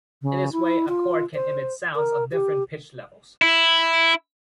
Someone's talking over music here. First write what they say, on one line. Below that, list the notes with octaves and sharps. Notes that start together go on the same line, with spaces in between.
In this way a chord can emit sounds of different pitch levels.
C#3
E4
F4
C5
A#4
G4
E4